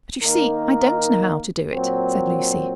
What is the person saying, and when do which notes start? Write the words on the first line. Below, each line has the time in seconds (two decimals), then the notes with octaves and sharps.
"But you see I don't know how to do it," said Lucy.
0.22 D#3 A#3 D#4 A#4
1.73 A#2 F#3 C4